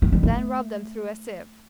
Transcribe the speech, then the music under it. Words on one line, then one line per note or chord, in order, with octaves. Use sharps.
Then rub them through a sieve.
A3
G#3
A3